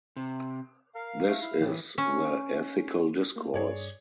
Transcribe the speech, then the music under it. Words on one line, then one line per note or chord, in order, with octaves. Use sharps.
This is the ethical discourse.
C3
A#4 F5
A3
E4
A2 E3
C#4
A3 A#3 A#4
G2 G#4 C#5 D5